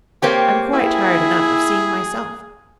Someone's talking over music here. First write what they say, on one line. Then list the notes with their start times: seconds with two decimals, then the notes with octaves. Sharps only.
I am quite tired enough of seeing myself.'
0.22 A#3 C4 G4 C#5
0.73 E4 G#4